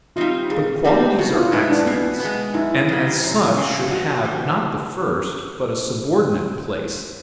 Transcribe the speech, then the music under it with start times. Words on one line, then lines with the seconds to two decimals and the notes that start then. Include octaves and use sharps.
But qualities are accidents, and as such should have, not the first, but a subordinate place.
0.16 G3 C4 D#4 F4
0.50 A#2 G#4
0.84 G3 C4 D#4 G4
1.18 B2 F#4
1.30 E4
1.35 F4
1.52 G#3 B3 E4
1.69 D4
1.86 B2 B3
2.20 G#3 B3
2.54 F#2 E4
2.89 C#3 F#3
3.23 F#2
3.57 C#3 F#3
3.91 G2 F#4
4.24 E3 G3